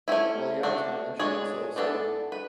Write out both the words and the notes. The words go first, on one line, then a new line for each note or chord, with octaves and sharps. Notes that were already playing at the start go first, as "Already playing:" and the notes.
well, yeah, I was gonna mention also. So,
A3 C#4 E4
A3 D4 F#4
G#3 D4 G#4 C#5
E3 B3 D4 F#4 A4
B4